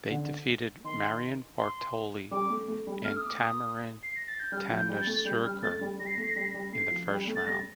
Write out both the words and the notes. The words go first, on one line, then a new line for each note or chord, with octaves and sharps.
They defeated Marion Bartoli and Tamarine Tanasugarn in the first round.
D3
D#3 C6
C6
G3 D6
A3
A3
G3
A3 F6
D#6
D6
D#6
C7
A#6
A6
G6
G3 F6
F3
G6
G3
G6
A6
A3
G3 G6
G3 F6
A3 A6
G3
G3 A#6
C7
A#6
A3
C7
A#6
G3 C7
A#6
G3
A3 C7
F3
G3
A3
A6
G3 A#6